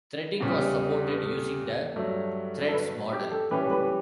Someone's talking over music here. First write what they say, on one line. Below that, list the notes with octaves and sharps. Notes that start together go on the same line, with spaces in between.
Threading was supported using the Pthreads model.
E2 C#3 G3
B4
A4
G2 F#3 A3
A4
B4
G4
A4
E3 G3 C#4 G4 B4
B4